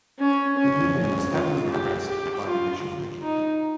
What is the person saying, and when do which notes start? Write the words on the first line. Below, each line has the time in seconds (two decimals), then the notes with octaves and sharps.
The union was heavily repressed by the regime.
0.19 C#4
0.57 C#4
0.96 C#4
1.33 F4
1.71 G4
2.08 G4
2.47 F4
3.22 D#4